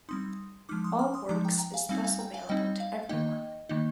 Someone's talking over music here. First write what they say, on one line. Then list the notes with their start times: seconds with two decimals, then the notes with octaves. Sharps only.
All works is thus available to everyone.
0.09 G3 C4 D#4 C6 D#6
0.69 F3 G#3 D#4 D6 F6
0.84 C6 D#6
0.99 D6 F6
1.14 C6 D#6
1.29 F3 G#3 D#4 A#5 D6
1.44 G5 A#5
1.59 G5 A#5
1.74 F5 G#5
1.89 G3 C4 D#4 F5 G#5
2.04 F5 G#5
2.19 G5 A#5
2.34 F5 G#5
2.49 G3 C4 D#4 D#5 G5
2.80 F5
3.09 D#3 A#3 D#4 D#5 G5
3.69 D#3 A#3 D#4 D#5